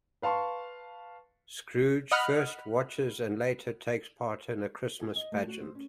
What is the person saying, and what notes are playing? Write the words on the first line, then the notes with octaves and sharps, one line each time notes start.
Scrooge first watches and later takes part in a Christmas pageant.
B4 F5 A5 C6 C#6
D#5 F#5 B5 F6 F#6
G#4
D#5
A3
F#4
C5
C#4